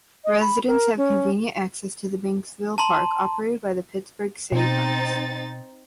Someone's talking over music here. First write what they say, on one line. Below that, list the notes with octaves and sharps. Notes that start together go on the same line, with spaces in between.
Residents have convenient access to the Banksville park, operated by the Pittsburgh Citiparks.
D#5
B5
A#4
C#4
A5 A#5 C6
B2 C4 D#4 A6